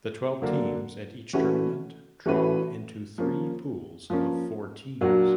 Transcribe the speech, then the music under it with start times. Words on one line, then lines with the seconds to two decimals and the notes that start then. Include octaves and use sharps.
The twelve teams at each tournament drawn into three pools of four teams.
0.42 D3 F#3 A#3 D4
1.33 E3 A3 C#4 F#4 B4
2.26 E3 A3 C#4 F#4 B4
3.18 F3 A#3 C#4
4.10 F3 A#3 C#4
5.01 A#2 F#3 A#3 D4 F#4